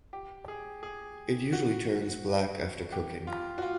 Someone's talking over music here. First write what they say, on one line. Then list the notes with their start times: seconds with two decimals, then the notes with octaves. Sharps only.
It usually turns black after cooking.
0.13 G4
0.48 G#4
0.83 G#4
1.53 F#4
2.92 G4
3.27 F4
3.58 F#4
3.62 F4